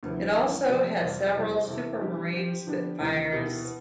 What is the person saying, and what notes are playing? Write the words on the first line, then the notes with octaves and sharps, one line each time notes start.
It also had several Supermarine Spitfires.
D2 C3 F3 B3 E4
G2 E3 B3
C3 F3 C4 G4 D5
F2 C3 G3 C4 F4
E2 C3 G3 C4
C3 E3 A3 E4
G3 B3 D4 G4
F3 C4 G4
D3 F3 B3 D4 G4
D2 C3 E3
B2 B3 E4 G4
B3